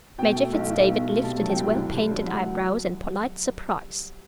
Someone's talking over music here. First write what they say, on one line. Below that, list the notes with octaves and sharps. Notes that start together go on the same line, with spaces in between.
Major Fitz-David lifted his well-painted eyebrows in polite surprise.
B2 G5
A3
B1
B1
B2
A3
C3 A5
F#3
G5
C2
C2
C3
F#3
F#3 F#5